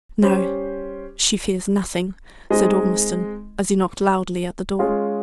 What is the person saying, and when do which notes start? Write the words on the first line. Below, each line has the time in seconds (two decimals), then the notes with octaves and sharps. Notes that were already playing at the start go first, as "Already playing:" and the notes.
"No; she fears nothing," said Ormiston, as he knocked loudly at the door.
0.22 G3 C#4 G4 C5
2.50 G#3 C4 D#4 G#4 D#5
4.79 G#3 C#4 F4 G#4